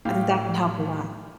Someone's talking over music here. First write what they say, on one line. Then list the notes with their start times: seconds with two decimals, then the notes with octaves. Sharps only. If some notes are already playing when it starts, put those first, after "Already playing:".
I think that can help a lot,
0.05 A2 G4 F5